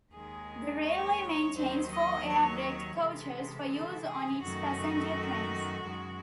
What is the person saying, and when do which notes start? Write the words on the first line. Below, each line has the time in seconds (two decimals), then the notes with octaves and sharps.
The railway maintains four air-braked coaches for use on its passenger trains.
0.13 D#2 D#3 G#3 G#4
0.86 C#5
1.56 D#2 D#3 F#3 C5
1.92 D#5
2.29 C#5
2.99 C3 E3 G#3 A4
3.72 A4
4.07 G#4
4.42 F#2 D#3 A3 F#4
5.86 F#2 D#3 G#3